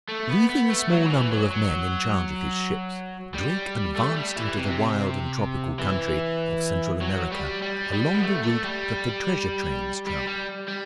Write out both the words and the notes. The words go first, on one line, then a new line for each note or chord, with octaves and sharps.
Leaving a small number of men in charge of his ships, Drake advanced into the wild and tropical country of Central America along the route that the treasure trains traveled.
A3
B3
B3
A3
F#3
E3
F#3
F#3
G3
A3
G3
E3
C3
E3
F#3
G3
G3
G3
B3
A3
A3
G3
G3
G3
G3